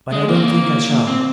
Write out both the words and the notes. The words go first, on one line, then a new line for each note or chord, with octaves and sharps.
But I don't think I shall.
G#3
A#3
C4
A#3
C4